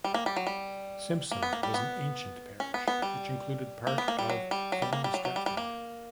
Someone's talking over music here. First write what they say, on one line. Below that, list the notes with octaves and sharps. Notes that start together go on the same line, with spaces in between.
Simpson was an ancient parish, which included part of Fenny Stratford.
G3
A#3
G3
F#3
G3
A#3
B3
A#3
G3
B3
C#4
B3
B3
G3
A#3
B3
A#3
G3
F#3
G3
F#3
G3
A#3
G3
F#3
F#3
G3
G3
A#3